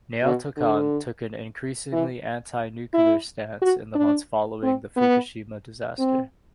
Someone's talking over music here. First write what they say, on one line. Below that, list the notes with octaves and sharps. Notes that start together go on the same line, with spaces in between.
Naoto Kan took an increasingly anti-nuclear stance in the months following the Fukushima disaster.
B2
D3
E3
E4
F#4
D4
C4
B3
C4